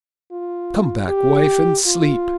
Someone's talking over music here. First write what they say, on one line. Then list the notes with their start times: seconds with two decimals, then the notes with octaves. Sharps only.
"Come back, wife, and sleep."
0.32 F4
1.08 G4
1.86 F4